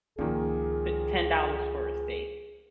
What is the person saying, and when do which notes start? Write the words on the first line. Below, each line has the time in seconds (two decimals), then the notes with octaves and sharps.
t ten dollars for a steak.
0.18 C#2 A#2 D#3 F3 A#3 G#4